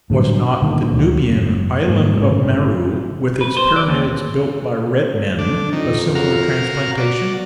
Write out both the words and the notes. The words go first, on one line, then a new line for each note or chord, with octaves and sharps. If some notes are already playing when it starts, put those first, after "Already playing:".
Was not the Nubian "Island of Merou," with its pyramids built by "red men," a similar transplantation?
A2 D3 F#3 G3
G2 A#2 D3 D#3
D2 D#3 F#3
F#1
G#2 G3 A#3
G1 A2 C#3
B4
C5
D5
D#2
D3 D4
F2 D#3
F#4 A#4 F5
B2 F#4 D5